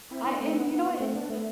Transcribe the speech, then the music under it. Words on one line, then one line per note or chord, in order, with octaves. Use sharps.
I and you know what, it's it's
C4 E4
B3 D4
A3 C4
B3
B3
B3
A3 C4
B3 D4
A3